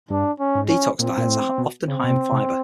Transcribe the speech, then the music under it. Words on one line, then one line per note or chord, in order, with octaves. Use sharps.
Detox diets are often high in fiber.
G2 D4
C#4
G#2
C#4
A#2 C4
A#2
A2
B2
C#3 C4
B2
C3
C3